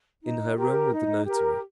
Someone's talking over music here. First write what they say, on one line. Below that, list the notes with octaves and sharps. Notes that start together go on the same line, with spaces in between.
"In her room with the notary."
D#4
G4 A#4
D#4
G4 A#4